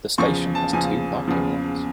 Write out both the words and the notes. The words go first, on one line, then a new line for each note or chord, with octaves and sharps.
The station has two parking lots.
E2 C#3 F3 C#6
A5
E2 C#3 F3 G#5
E2 C#3 F3